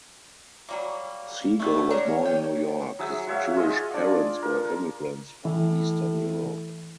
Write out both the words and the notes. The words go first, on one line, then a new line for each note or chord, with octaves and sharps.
Segal was born in New York; his Jewish parents were immigrants from Eastern Europe.
F#3 G3 A#3
B2 G3 A3
D4 A#4 C#5
G5
F#3 G#4 E5
F#4 C#5 E5 F5
F4 G#4 D#5
D4 D5
A#4
A2 E3